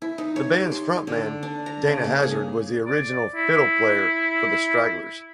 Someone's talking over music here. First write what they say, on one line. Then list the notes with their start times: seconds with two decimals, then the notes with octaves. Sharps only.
The band's front man, Dana Hazzard, was the original fiddle player for the Stragglers.
0.02 E4
0.18 D#4
0.36 C#5
0.53 G4
0.72 C6
1.07 D3
1.43 D4
1.66 A#5
1.87 C#3
2.04 A#3
2.23 G#4
2.86 D5
3.35 E4